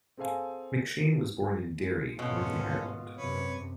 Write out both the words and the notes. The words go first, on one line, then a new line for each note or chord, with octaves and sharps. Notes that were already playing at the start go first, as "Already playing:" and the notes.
McShane was born in Derry, Northern Ireland.
C4 G#4 A4 F5 G#5
G#3
G#2 B2 C#4 F4 A4
F#2 C3 B4 C#5